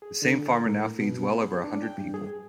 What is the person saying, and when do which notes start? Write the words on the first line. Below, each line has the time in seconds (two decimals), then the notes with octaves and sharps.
The same farmer now feeds well over a hundred people.
0.02 G#4
0.22 D3
0.51 A#4
0.66 A2
0.99 B2
1.23 B3
1.42 G#4
1.64 D4
1.83 G5
1.98 G2
2.14 G#4